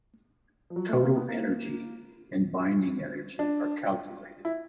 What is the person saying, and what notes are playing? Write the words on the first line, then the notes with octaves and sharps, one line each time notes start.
Total energy and binding energy are calculated.
F3
F#3
A3
A#3
B3
A#3
D4
E4